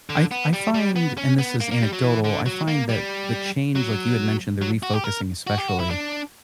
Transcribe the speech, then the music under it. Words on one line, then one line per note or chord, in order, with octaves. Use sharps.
I f I find and this is anecdotal, I find that the change, like you had mentioned, the refocusing, especially,
D3
B3
G3
G3
B3
C#4
B3
A#3
A#3
G3
F#3
E3
D3
F#3
A#3
G3
F#3
F#3
F#4
G4
A#4
F#4
G4
F#4
E4
D4